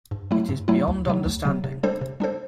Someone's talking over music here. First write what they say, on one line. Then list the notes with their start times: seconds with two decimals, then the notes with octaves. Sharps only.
It is beyond understanding.
0.11 G2
0.31 F#3 A3 E4
0.49 G2
0.68 F#3 A3 E4
0.88 D2
1.07 C3 F#3
1.25 D2
1.45 C3 F#3
1.64 C3
1.83 G3 D4 A4 C5
2.01 C3
2.20 G3 D4 A4 C5